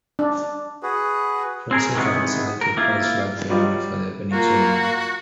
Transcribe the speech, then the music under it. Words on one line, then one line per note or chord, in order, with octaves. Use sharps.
Fonseca was selected as flag bearer for the opening ceremony.
D4
F#4 G#4 B4
C4 G#4 A#4
C3 D#3 E3 G#3 B3
A#4
A#3 E4 F4
F#3 G3 F4 D#5
A#3 F4 F#4